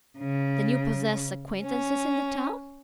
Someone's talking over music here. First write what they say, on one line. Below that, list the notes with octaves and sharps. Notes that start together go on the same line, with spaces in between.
"Then you possess acquaintances in the town?"
C#3
C#4